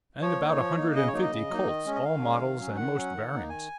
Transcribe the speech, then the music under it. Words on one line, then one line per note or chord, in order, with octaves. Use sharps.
And about a hundred and fifty Colts, all models and most variants.
F3 C#5
A#3 D#4
F3
A#3 D#4
C#3 D#5
C#5
F#3 A#3 D#4
D#5
C#3
F#3 A#3 D#4
D#3
G#3 C#4
D#5
D#3 F5
G#3 C#4
D#3
F#3 C#4
D#3 F#5
F#3 C#4
D#3
A#3 D#4
D#3 G#5